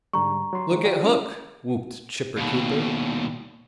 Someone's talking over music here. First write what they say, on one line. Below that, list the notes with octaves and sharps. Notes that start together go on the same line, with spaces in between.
"Look at Hook!" whooped Chipper Cooper.
G#2 D3 G3 A#5 C#6
F#3 C6
D#3 F3 G#3
F4 G4 D5
C#4 E4
D#2 B2